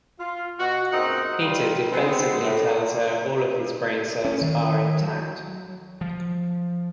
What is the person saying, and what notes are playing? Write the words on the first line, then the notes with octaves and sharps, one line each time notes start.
Peter defensively tells her all of his brain cells are intact.
F4
B2 F#4
F#2 A#2 G#3 C4 D#4 F#5
G3 D#4 F4
G#3 B3 C4
A2
C#4
D#3
F#3
F3